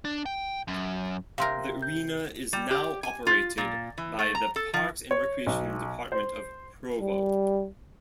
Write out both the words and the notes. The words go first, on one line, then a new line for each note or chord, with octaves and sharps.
The arena is now operated by the Parks and Recreation Department of Provo.
D4
G5
F#2
C3 C4 A#4 F5 C6
G6
G3
G4
G#5
F4
A#2
E3
A3
A#5
A4
F3
C#5
B1
C5
G3